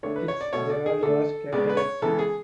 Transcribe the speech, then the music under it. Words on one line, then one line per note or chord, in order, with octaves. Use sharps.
Fitzgerald was Catholic.
D3 A3 C#5
B4
C#5
D5
B2 A3 C#5
D5
G#4
D3 A3 A4
C#3 G#3 B3 D5
B4
C#5
C#3 E3 G#3 B3 A4
G#4